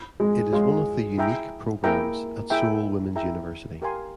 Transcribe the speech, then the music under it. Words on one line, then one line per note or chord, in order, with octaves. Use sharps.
It is one of the unique programs at Seoul Women's University.
G#3
G#3 G#4 C#5 F5 C6
E4 G#4 E5 G5 A#5
A#3 E4 G#4 E5 G5 A#5
E4 G#4 E5 G5 A#5
E4 G#4 E5 G5 A#5
G4 A#4 F5 G#5 C6